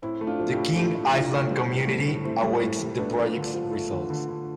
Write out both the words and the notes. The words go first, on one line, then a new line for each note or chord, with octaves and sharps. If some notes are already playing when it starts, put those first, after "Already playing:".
The King Island Community awaits the project's results.
A2 C4 E4
A3
D4 F4
F3
E4 G4
A2
A3 E4 G4
A3
G4
A2 D4 F4
A3
G3 C4 E4
A2 B3
G3 A3
A2
A2 A3 C4
G3
A2
G3
A3 B3 D4
F3
D3
F3
A3
D3
D3
D3